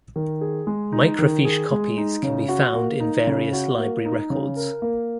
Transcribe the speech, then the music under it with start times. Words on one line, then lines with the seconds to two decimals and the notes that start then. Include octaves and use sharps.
Microfiche copies can be found in various library records.
0.16 D#3
0.41 G#4
0.67 G#3
0.92 D#4
1.19 D#3
1.45 G#4
1.71 G#3
1.97 D#4
2.23 C#3
2.48 F#4
2.74 A#3
3.00 D#4
3.27 C#3
3.53 F#4
3.78 A#3
4.05 D#4
4.30 C#3
4.57 A#4
4.82 A#3